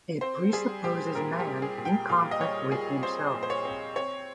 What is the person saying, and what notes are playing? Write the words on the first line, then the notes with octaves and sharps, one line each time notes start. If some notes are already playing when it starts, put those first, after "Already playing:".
It presupposes man in conflict with himself.
C4 C5
G3 G#4
A#2 G4
A#2 A#4
G4
G3
G#4
A#2
G5
A#2 F5
D#5
G3 C#5
G3 G#4
C4 C5
A#2
C5
C#5
C4
C4 C#5